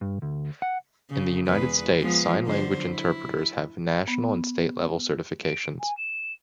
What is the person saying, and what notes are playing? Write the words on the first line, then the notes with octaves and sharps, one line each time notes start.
In the United States, Sign Language Interpreters have National and State level certifications.
G2
D2
F#5
C#3
E2 G#3 B4
F3 G#3 B3
D3 F#3 C5
E4
B3
D7
G#5
E7